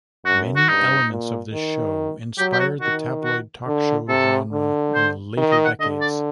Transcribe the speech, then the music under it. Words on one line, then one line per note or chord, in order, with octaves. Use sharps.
Many elements of this show inspired the tabloid talk show genre in later decades.
F#2 F#4
F#4
G2 D#4
A#2
D#3
F#3 G4
G4
F#4
D#3 F#4
F#4
D3
C3 A4
D3
C5
D#3
D#5
F#5
D3 D#5
D5